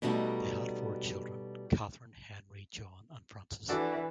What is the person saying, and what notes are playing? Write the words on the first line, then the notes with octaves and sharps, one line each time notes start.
They had four children; Catherine, Henry, John, and Francess.
B2 G3 A3 D#4 F#4
E3 D4 F#4 A4